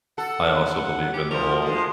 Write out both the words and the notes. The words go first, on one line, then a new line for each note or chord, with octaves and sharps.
I also believe in the whole
A4 F#5
G4
F3 A#4
F3 G#3